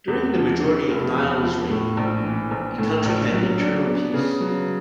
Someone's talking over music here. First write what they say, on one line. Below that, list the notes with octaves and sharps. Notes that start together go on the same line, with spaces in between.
During the majority of Niels' reign, the country had internal peace.
E2
F3
C#3
F1
E2
F3
A2
A#1
E3
A#1
A2
A#1
F#3
D4
B3
C#3
F#3